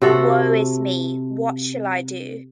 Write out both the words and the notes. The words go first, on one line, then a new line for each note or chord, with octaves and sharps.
Woe is me, what shall I do?
C3 F#4 A4